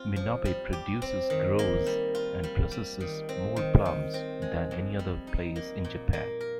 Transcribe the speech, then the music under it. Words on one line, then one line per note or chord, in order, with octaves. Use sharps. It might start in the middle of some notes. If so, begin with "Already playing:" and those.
Minabe produces grows and processes more plums than any other place in Japan.
Already playing: C4 F4
F3
G3
G4
C4
D#3
A#3
G3
F4
G3
G3
D#3
C4
D#3
D#3
C4
G#3
F2
G3
D#4
A#3
A#2
A#3
A#4